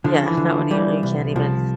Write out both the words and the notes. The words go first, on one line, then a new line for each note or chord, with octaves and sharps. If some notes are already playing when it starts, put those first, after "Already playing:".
yeah, not when you you can't even
D3 F3
E3
D3
F3
E3 G3
C2
C2 F3